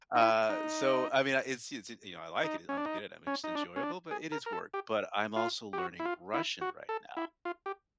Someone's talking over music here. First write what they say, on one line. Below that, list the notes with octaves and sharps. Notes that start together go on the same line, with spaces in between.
uh, so, I mean, uh, it's it's, you know, I like it, I'm good at it, I'm just enjoyable, but it is work, but I'm also learning Russian right now.
D#4
E4
D#4
D#4
C#4
D4
D#4
C#4
D#4
D4
C#4
D4
G#4
A#4
A#4
A4
G4
F4
G4
F#4
E4
F4
E4
F#4
A4
E4
F4
G4